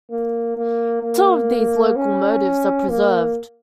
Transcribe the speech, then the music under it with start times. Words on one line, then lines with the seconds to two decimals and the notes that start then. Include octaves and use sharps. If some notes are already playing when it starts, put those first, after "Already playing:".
Two of these locomotives are preserved.
0.10 A#3
0.57 A#3
1.03 A#3
1.96 C#4
2.89 A#3